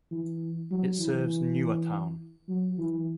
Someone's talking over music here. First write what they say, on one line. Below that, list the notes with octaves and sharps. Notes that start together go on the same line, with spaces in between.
It serves Nua town.
E3
F#3
E3
F#3
E3